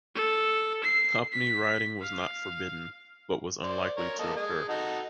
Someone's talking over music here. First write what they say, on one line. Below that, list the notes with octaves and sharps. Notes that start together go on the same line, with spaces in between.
Company riding was not forbidden but was unlikely to occur.
A4
C7
B6
F5
C5 D5
A#4 C#5
A#3 A4 D#5
G#4 D#5
D#4 F#4 A4